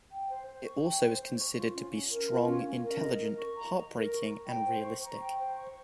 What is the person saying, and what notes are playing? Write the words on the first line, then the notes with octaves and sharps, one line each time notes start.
It also is considered to be strong, intelligent, heart-breaking and realistic.
G5
C5
C5
C#6
G5
C5
C5
C#6
F4
C#4
C#4
A#4
F4
C#4
C#4
A#4
D#5
A#4
C#6
A#5
D#5
A#4
C#6
A#5
G5
C5
C#6
A#5
G5
C5
C#6